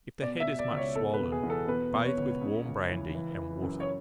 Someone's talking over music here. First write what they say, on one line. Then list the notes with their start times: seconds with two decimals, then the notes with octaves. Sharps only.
If the head is much swollen, bathe with warm brandy and water.
0.22 B2 D5
0.40 E5
0.47 B2
0.59 D5
0.70 C#2
0.77 C#5
0.95 B2 A4
1.13 B4
1.20 B2
1.32 G#4
1.43 E2
1.50 A4
1.67 B2 B4
1.92 B2
2.05 C#5
2.17 C#2
2.41 C#3
2.65 C#2
2.89 E3
3.14 E3
3.38 E3
3.62 F#2
3.80 C#5